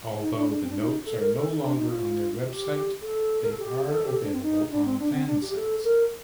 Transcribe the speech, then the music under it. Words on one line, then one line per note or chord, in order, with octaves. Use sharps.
Although the notes are no longer on their website, they are available on fansites.
D#4
D4
D4
C4
D4
D#4
A4
A#4
A4
D4
D#4
F4
F4
G4
A4
A#4
A4
G4
A4
G4
A4
D4
C4
D#4
D4
C4
D4
C4
D4
G4
A4
A#4